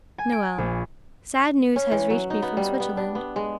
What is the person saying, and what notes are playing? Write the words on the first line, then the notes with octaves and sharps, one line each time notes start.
NOEL--Sad news has reached me from Switzerland.
G#5
D7
A#1
C#4
E3
F#3
D#4
B3
G3
B3
D4
B3
G#3